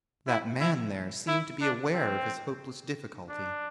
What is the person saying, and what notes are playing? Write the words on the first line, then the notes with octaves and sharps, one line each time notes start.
That man there seemed to be aware of his hopeless difficulty.
E4
E4
E4
D4
C4
D4